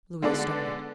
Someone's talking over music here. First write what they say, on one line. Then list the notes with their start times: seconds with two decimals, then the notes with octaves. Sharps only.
Louis started.
0.22 D3 G#3 B3 D4 A4 D5